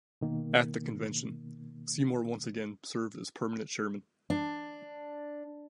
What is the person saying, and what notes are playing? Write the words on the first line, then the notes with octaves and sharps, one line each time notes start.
At the convention, Seymour once again served as permanent chairman.
B2 D#3 A#3
D4